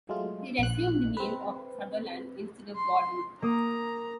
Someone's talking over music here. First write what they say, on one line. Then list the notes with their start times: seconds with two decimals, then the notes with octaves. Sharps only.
He resumed the name of Sutherland, instead of Gordon.
0.09 F#3 G#3 A3 F4
0.59 A#1 F#6
1.17 C4 B4
2.76 C6
3.42 A#3 A#5 D#6